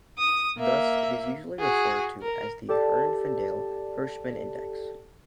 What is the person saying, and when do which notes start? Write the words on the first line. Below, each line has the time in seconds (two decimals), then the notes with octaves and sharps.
Thus, it is usually referred to as the Herfindahl-Hirschman index.
0.18 D#6
0.58 A#3 E5
1.59 F#4 G#4
2.22 A#4
2.69 G4 A4 D5 A5